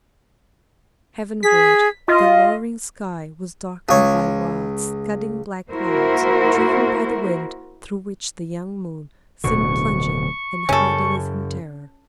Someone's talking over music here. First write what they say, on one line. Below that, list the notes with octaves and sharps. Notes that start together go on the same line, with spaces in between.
Heavenward, the lowering sky was darkened by wild, scudding, black clouds, driven by the wind, through which the young moon seemed plunging and hiding as in terror.
G#4 B6
F4 D#5
C#2 C#5
A#3 E4 F#4 A#4 C5
D1 B2 D3 C#6
F#2 C#3 C#4 A4